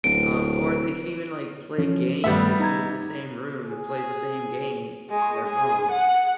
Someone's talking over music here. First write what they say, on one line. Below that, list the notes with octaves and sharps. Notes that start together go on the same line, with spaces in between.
Um, or they could even, like, play games, they could be in the same room and play the same game on their phone.
D1 D7
E3 F3 C#4
G2 D#3 G3 A3 B3 E5
D#4 A#5 G#6
G#4
G#3
G#4
F#5